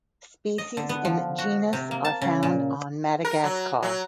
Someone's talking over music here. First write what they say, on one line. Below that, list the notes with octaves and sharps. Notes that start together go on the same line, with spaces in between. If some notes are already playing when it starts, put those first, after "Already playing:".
Species in the genus are found on Madagascar.
D#5
D3
B3
F3
F#4
C3
A#3
A5
C#3
A#2
A#4
F#3
F#3